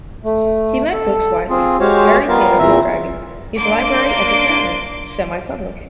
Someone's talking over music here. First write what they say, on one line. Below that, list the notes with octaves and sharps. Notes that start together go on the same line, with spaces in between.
He lent books widely, Barry Taylor describing his library as apparently "semi-public".
A3
A4
C4 F4 G#4
G#3 F#4 G4 C5 C#5 F5
G3 B3 F4 A#4 F5
E2 A#2 E3 C4 E5 A#5
A#3 D4 C6 D6 D7